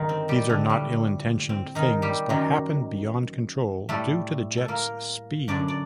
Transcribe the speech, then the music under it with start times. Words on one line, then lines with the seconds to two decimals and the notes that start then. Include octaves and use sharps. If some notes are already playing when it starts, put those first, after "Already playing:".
These are not ill-intentioned things but happen beyond control due to the jets' speed.
Already playing: G2 D3 D#3 D#4
0.09 C4
0.29 G3 G4
0.49 D3 D4
0.69 A2 G3
1.49 C4
1.75 D#3 D#4
2.02 G3 G4
2.29 F#2 D#3 F#3
3.89 A2 G3 A3 A4
4.57 A4
4.68 A#3 A#4
5.48 F#2 D3 F#3 D4 D5
5.68 D5